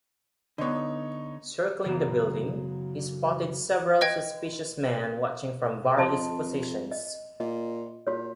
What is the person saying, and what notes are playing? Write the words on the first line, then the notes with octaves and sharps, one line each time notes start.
Circling the building, he spotted several suspicious men watching from various positions.
D3 B3 D#4 C#5
F#2 C#3 E3 A#3 B3
B4 D#5 G5 G#6
F2 D#5 A5 C6
D#5
A#2 D#5
A#2 F#4 C#5